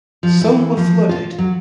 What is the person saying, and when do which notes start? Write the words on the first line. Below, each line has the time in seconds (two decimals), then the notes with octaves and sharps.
Some were flooded.
0.23 F3
0.41 E3
0.77 F3
1.09 F4
1.38 F#3